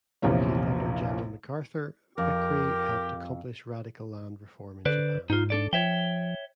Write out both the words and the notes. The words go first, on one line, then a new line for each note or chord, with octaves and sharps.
Working under General MacArthur Vickrey helped accomplish radical land reform in Japan.
A#1 E2 C3 A#3 C#4
F2 G4 A#4
D3 B4 C5 D5
G#2 D#4 F4
D4 A4 D5
F3 C#5 E5 G5